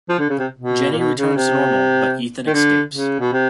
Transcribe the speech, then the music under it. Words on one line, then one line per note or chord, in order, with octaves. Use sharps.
Jenny returns to normal, but Ethan escapes.
F3
D3
C#3
C3
B2
A#2
B2
C#3
C3
D#3
D3
C#3
B2
C3